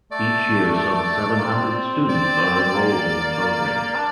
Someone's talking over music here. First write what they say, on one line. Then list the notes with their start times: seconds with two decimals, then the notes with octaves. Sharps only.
Each year some seven hundred students are enrolled in the programme.
0.12 A3 D5
1.37 A#3
1.44 C4
2.10 D5
2.74 A#3
3.95 D4